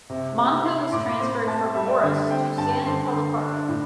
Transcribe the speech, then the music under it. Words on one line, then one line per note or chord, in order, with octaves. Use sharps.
Monica was transferred from Oras to San Policarpo.
C3
C3
E4 C6
A2 D6
C4 C6
A3 A5
G3 E5
D5
D3 E5
C4 G5
G2 A5
D3 C5
D3
D4
A2